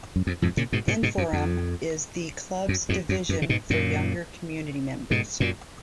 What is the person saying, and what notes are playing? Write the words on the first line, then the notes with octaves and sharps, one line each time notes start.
Inforum is the Club's division for younger community members.
F#2
F2
F2 G#2
A#2 C#3
G#2 B2
G#2 B2
G#2 B2
F#2
F2
F#2
F2 G#2
F#2
F#2
C#3
G#2 B2
F#2 A#2
G#2 B2
F#2 A#2